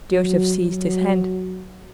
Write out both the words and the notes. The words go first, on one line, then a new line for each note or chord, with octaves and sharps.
Joseph seized his hand.
F#3
F#3